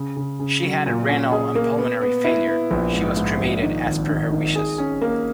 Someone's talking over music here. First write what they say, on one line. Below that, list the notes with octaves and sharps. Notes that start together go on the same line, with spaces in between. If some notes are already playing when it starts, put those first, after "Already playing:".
She had renal and pulmonary failure., She was cremated as per her wishes.
Already playing: C#3
C#3
C#3
F#3
A#2
C#4
G#4
A#3
B3
B3
E4
B3
A#1
G#2
G#2
A#1
D#3
G#1
D#3
D#3
G#4
C#4
A#3